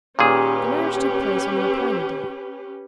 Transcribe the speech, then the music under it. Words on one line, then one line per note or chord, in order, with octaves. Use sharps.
The marriage took place on the appointed day.
A#2 D#3 C#4 G4 G#4 B4